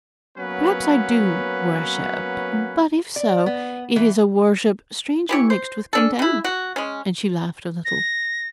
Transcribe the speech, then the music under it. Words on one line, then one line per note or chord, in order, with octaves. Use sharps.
Perhaps I do worship; but if so, it is a worship strangely mixed with contempt.' And she laughed a little.
F#3 A#3 B3 C#4 B4
D5
B3
E3
E3 G4 C#5
C5
C#4 D4 A4
C#3 E4
F#4
G#3 C#4
A#6